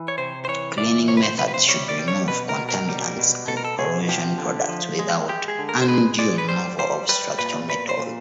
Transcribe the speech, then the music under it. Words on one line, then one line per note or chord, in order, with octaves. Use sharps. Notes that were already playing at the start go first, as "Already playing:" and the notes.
Cleaning methods should remove contaminants and corrosion products without undue removal of structural metal.
Already playing: E3
C#5
C3 C5
C5
E3 C#5
E3 D5
C3 C#5
B4
C5
C3 B4
B4
C5
G3 C#5
D5
G3
C#5
B2 B4
A#4
B2
A#4
G3
B2
B2 A4
A#4
A4
B2 G#4
F3 G4
D3
F3
G#3
G#3 G4
G#4
D3
A#4
C5
G#3 B4
G#3 D5
B4
G3 C5
G3 C5
G3 B4
A#2 B4
A#2 B4
C5
A#2